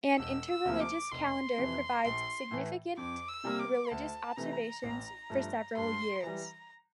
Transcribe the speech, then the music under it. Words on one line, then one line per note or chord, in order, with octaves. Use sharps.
An inter-religious calendar provides significant religious observations for several years.
E1 E6
E6
D2 C3 F3 A#3
D6
F1 C6
F2 C3 E3
A#1 C6
A2 E3
F2 D6
E6
C3 G3 A#3
D6
D2 A5
C3 E3 A3 A#5
A1
G2 F3 A3
G2 C6
E3 G3 A#5